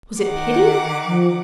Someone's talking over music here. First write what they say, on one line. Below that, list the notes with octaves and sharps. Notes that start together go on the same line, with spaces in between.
Was it pity?
D#3 F#5 D6
F3